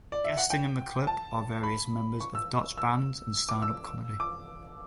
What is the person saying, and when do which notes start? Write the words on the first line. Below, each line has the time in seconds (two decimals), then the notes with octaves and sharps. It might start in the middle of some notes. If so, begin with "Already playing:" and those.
Guesting in the clip are various members of Dutch bands and standup comedy.
0.12 D5
0.24 E5
0.37 F#5
0.50 G5
1.07 A5
1.63 B5
2.20 C#6
2.35 E6
2.78 E6
3.49 D6
3.62 E6
4.20 D6